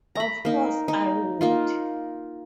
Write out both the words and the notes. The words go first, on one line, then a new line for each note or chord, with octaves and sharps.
Of course I would!
A#5 B5
A#3 D#4
D#4
A#3 D#4 F4